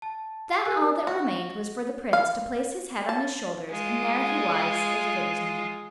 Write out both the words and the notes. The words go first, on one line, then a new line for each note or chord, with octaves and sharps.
Then all that remained was for the Prince to place his head on his shoulders, and there he was--as good as new!
A5
G4 A4 A#4 G#5 E6 F#6
F#4
F5
A5
G#3 F4